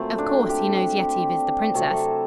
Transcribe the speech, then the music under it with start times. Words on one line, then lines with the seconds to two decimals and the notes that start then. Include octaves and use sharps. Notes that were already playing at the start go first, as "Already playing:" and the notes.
Of course, he knows Yetive is the princess.
Already playing: A#2 F#3 A3 C4
0.18 D4
0.49 G4
1.74 C3 F#3 A3 A4